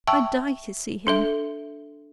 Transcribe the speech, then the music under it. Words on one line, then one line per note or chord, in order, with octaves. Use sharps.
I die to see him.
E5 G5 A5 C#6 E6
D4 A4 E5